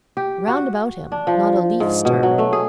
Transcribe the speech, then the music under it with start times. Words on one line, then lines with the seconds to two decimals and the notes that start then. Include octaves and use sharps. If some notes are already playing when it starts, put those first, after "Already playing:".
Round about him, not a leaf stirred.
0.17 G4
0.48 F#4
1.12 D4
1.27 F3
1.80 G#2
2.05 B2
2.23 F#3
2.38 A3
2.53 G#4